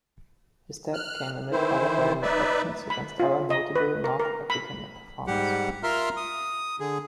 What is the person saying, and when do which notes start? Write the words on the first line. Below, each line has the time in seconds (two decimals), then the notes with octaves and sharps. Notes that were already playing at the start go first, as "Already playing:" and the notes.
His death came amid other violent actions against notable North African performers.
0.94 F6 F#6
1.51 D#3 E3 E4 C5
2.22 D#4 B4 D5 E5
2.90 B5
3.20 F4
3.50 D#5
3.76 B4
4.04 A#4
4.19 A#4
4.50 B5
5.27 G#2 G3 G4 F#5
5.83 F4 A#4 E5 A#5 C6 F6
6.17 D#6
6.80 D3 G#4